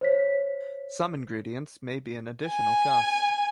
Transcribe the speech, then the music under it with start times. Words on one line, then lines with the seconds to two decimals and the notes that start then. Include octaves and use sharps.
Some ingredients may be an additional cost.
0.01 C5 C#5 B6
2.46 G#5